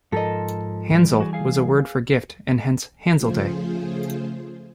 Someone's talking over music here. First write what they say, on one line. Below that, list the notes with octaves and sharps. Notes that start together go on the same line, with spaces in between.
"Handsel" was a word for gift and hence "Handsel Day".
G#2 F3 A4 A#4 D#5
E3 G3
F#4 G#4
G#4 F5 G#5
C#3 F3 A3 F4 G#4 C5